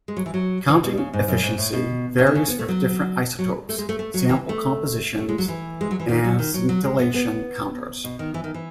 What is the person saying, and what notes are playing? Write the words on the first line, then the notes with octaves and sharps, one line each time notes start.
Counting efficiency varies for different isotopes, sample compositions and scintillation counters.
G#3
F#3
E3
F#3
E3
B2
C#3
G#2
F#2
G#2
A2
B2
C#3
D#3
C#3
B3
A3
F#3
F#3
A3
G#3
A3
A3
F#3
E3
A3
A3
G#3
F#3
E3
G#3
F#3
E3
D#3
F#3
D#3
F#3
F#3
G#3
B3
B3
B2
D#3
E3
D#3
E3